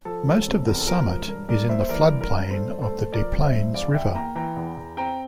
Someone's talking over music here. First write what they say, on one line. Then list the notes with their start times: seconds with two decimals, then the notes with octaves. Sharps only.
Most of "Summit" is in the floodplain of the Des Plaines River.
0.05 F3 A4
0.26 E1
0.47 C3
0.66 E2 A#4
0.79 A4
0.87 F3 A#4
1.08 E1 A#4
1.28 G2 A#4
1.49 G2 A#4 D5
1.69 A#3 C5 E5
1.80 C5
1.89 E3 A#4 D5
2.10 G2
2.21 A#4
2.30 G2
2.51 G2 A4 C5
2.71 G2
2.82 A4 C5
2.92 A3
3.13 F3 A#4 D5
3.33 G2
3.43 C5 E5
3.54 G2
3.74 E2 D5 F5
3.94 E2 E5 G5
4.15 A#3 G5 A#5
4.35 E3 G5 A#5
4.56 E2
4.77 E2
4.97 C4 G5 A#5